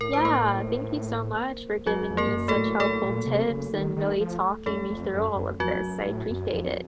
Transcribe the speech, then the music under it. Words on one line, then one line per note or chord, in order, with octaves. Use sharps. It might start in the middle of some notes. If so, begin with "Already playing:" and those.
Yeah. Thank you so much for giving me such helpful tips and really talking me through all of this, I appreciate it.
A2 A#4
C5
A#3 A#4
F#2 F#3 F#4
F2
A#3 A#4
A2
F#2
A3 A4
A2
A2 A3 A4
A#2
C3
C#3
D#3
D#3
F3
F#2 A3 A4
F2
F#2
F#2
F2 F#3 F#4
F#2
A2
F#2
F2